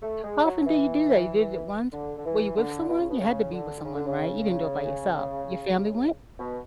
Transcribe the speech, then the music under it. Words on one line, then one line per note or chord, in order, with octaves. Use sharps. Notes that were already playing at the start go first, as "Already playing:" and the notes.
How often do you do that? You did it once. Were you with someone? You had to be with someone, right? You didn't do it by yourself. Your family went?
A3
G#3
F#3
E3
D3
D3
E3
D3
B2
C#3
B2
C#3
D3
C#3
D3
C#3
B2